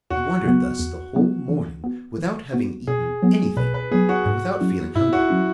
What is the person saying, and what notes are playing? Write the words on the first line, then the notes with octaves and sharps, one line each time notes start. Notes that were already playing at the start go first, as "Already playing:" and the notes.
He wandered thus the whole morning, without having eaten anything and without feeling hungry.
E2 F#4
C#3 F#3 B3
E2
C#3 F#3 B3
E3
B3 F#4
E3
B3 F#4
B2 G#4
F#3 B3
B2 B4
B4
F#3 B3 G#4
F#4
G#2
F#3 C#4 E4
G#2 E4
F#4
F#3 C#4 E4